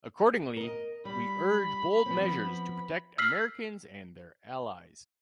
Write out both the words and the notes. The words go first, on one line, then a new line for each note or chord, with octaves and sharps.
Accordingly, we urge bold measures to protect Americans and their allies.
A#4 D#5
G3 B5
F3 B3 C4
E6 F6 B6 C7 F#7